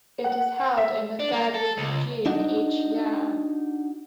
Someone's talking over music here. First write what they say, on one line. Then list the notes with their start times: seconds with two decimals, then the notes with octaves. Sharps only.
It is held in the third week of June each year.
0.24 F#5
0.77 E5
1.20 D4
1.32 A#3
1.54 A4
1.78 C#2
2.26 D4 D#4 F#4